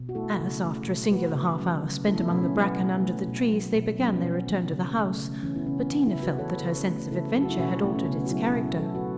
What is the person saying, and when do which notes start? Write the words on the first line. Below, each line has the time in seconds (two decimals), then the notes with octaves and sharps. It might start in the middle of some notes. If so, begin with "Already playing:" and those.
As, after a singular half hour spent among the bracken under the trees, they began their return to the house, Bettina felt that her sense of adventure had altered its character.
Already playing: B2
0.09 F#4
0.15 A3 E4 A4
0.39 C#3
0.64 A3
0.87 B2
1.11 A3 F#4 B4
1.36 C#3
1.59 F#3
1.83 C#3
2.07 A3 E4 A4
2.19 B3 E4
2.31 B2 C#4
2.38 B3
2.43 C#4
2.55 F#3 B3 E4
2.79 B2
3.03 A3
3.28 B2
3.52 F#3
3.75 B2
3.99 F#3 C#4
4.08 B3
4.16 C#4
4.23 B2
4.47 E3
4.71 C#3
4.95 A3
5.19 C#3
5.43 E3 C#4
5.56 B3 E4
5.67 C#3 C#4
5.79 B3
5.91 E3
6.07 B3 E4
6.15 C#3
6.23 F#4 B4
6.39 E3 A4 C#5
6.63 C#3
6.87 A3
7.11 C#3 E4 A4
7.34 F#3 A4
7.43 F#4
7.50 E4
7.57 B2 C#4 F#4
7.83 A3 B3 E4
7.96 C#4
8.06 C#3 B3
8.19 C#4
8.26 F#4
8.31 F#3 B3 E4
8.47 E4 A4
8.55 B2
8.63 B3 E4
8.79 F#3 E4 A4
8.95 F#4 B4